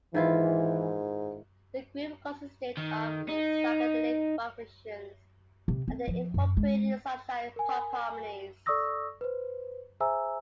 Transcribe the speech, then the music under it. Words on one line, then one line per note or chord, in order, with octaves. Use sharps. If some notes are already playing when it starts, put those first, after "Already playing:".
The group consisted of psychedelic rock musicians, and they incorporated sunshine pop harmonies.
G#2 D#3 E3 E4 F4
D#3
D#4
C3
C4
F3
F#2
G#3
A#4 G#5
A4 D5 C#6 D#6 E6 A#6
B4 C5
G#4 C5 E5 G#5 A#5 E6